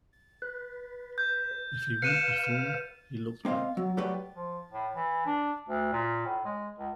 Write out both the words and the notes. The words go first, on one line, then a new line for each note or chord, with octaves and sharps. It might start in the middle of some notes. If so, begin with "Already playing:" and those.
If he went before, he looked back.
B4
G6
B4 F5 F6 C#7 D#7 E7
A#3 C4 D#5 F5
F#3
F#3 A3 F#4 G4 B4 D5
F3
A2
E3
D4
D2
A#2
A2
G#3
C#2